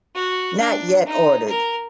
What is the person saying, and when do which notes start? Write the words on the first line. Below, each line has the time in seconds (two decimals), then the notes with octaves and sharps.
Not yet ordered.
0.15 F#4
0.59 D4
1.06 D#4
1.48 A#4